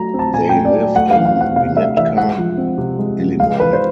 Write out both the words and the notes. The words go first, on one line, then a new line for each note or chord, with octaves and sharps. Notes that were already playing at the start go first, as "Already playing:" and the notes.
They live in Winnetka, Illinois.
Already playing: F#3 A3 A#5
C4
A5
A#2 G#5
G5
A3
D5
F#3
A3 F#5
F5
E3
F5
C4 F#5
C3 F5
A3 E5
E3 E5
G#3 F#5
F3
C4
C3
G#3
F3
G#3 F5
E3 B4
C5